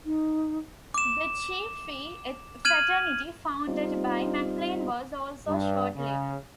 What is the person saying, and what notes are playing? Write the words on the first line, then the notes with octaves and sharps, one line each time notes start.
The Chi Phi Fraternity founded by Maclean was also short-lived.
D#4
D6 E7
F6 G#6 D#7 F#7
G3 C4 D#4 F4
G2
C#3